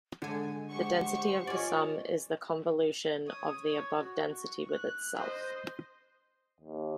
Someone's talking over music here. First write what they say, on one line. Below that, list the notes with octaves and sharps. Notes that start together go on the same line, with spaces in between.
The density of the sum is the convolution of the above density with itself.
D3 G#3 G#5
G#3 G4 C5 F#5 C#6
C#4 F4 D5 D#5
C#5 D#6
C#5
F#4
C#6
F#6
C5 D#5
D#2